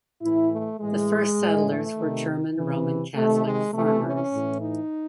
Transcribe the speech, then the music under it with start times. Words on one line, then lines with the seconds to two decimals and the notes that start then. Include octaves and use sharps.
The first settlers were German Roman Catholic farmers.
0.22 A2 E3 E4
0.52 A3
0.80 A2 E3 G#3
1.39 A2 E3
1.69 A3
1.97 C3 D#3
2.57 C3 E3
3.15 C3 D#3 A3
3.45 G#3
3.74 C3 E3 A3
4.03 C#4
4.33 A2 E3
4.61 D#4